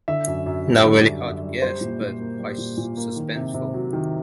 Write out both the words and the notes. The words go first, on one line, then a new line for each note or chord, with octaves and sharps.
Not very hard to guess, but quite suspenseful.
D3 E5
F#2
F#2
G3
D3
F#2
F#2
G3
G3 C5
A#2
A#2
A#3
G3
A#2
A#2
A#3
D#3
C3
C3
F#3
D#3